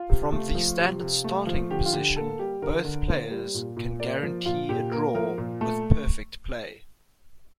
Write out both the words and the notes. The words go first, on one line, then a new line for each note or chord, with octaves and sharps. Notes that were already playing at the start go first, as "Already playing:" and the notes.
From the standard starting position, both players can guarantee a draw with perfect play.
Already playing: F4
C3
A3
F3
C3
C3
A3
F3
D3 G4
F4
D3 G4
A#3 A4
G3 G4
D3 A#4
D3
A#3 C5
G3
A#2
A#2
A#3 D5
F3
A#2 F4
A#2 G4
A#3 A#4
F3 A#4
A#2
A3 A4